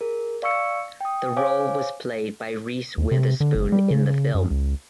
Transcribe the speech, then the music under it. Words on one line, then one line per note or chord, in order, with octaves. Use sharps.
The role was played by Reese Witherspoon in the film.
G#4 A#4
D5 F5 C#6 E6 C#7
G5 D#6
C5 C#5 F5 G#5 D6
D#2
C3
D3
F#1
G3
C#3
F#2
C#2